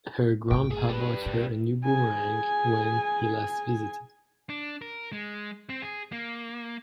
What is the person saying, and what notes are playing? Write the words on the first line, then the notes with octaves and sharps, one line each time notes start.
Her grandpa bought her a new boomerang when he last visited.
G1 A2 G5
G#4
G3 B4
A2
G#4 G#5
D4
A#4
G#3
C4
G#4
A#3